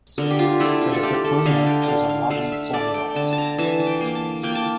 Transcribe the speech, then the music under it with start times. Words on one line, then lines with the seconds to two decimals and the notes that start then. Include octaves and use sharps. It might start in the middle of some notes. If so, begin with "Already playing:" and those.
It is equivalent to the modern formula.
0.18 D3 A#4
0.30 G4
0.39 F4
0.60 A3 E4
0.81 F4
0.93 A4
1.03 A3 G4
1.24 A4
1.46 D3 F5
1.67 G5
1.88 D3 F5
2.09 F5
2.30 A3 F5
2.52 E5
2.73 A3 D5
2.94 G5
3.15 D3 A5
3.33 A5
3.38 A#5
3.58 E3 A5
3.80 A5
3.87 G5
4.01 A#3
4.15 A5
4.43 A#3 G5
4.55 A5